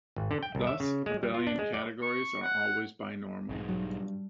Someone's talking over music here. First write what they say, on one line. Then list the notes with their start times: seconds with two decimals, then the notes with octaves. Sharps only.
Thus, abelian categories are always binormal.
0.16 G#1
0.31 D3
0.43 G5
0.55 C2
0.67 E5
0.80 C#3
1.06 G#3
1.23 G3
1.34 F4
1.47 D4
1.59 G#3
1.74 D5
2.02 C#6
2.42 F#5
3.49 B1 G#2
3.69 G2 F#3